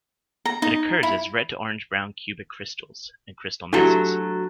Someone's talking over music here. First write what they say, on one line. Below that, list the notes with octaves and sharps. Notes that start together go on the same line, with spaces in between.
It occurs as red to orange brown cubic crystals and crystal masses.
A#5
D#4
E4
F#3 A3 D4 E4 F#4 G4